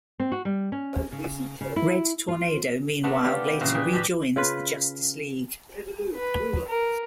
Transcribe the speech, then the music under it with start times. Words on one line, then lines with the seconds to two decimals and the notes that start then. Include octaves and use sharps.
Red Tornado meanwhile later rejoins the Justice League.
0.20 C4
0.32 F#4
0.45 G3
0.72 C#4
1.12 C#3
1.61 C#3
1.76 E4
2.28 F4
3.03 C3 A3 B3 D4
3.24 F4 G4 D5
3.47 E4
3.61 A#2 C#3 E3
3.74 G#4 B4 D5 G5 G#5
3.92 A2 G3 D4 G4 D#5 B5
4.36 C#3 F4 B4
6.14 B4
6.67 A#4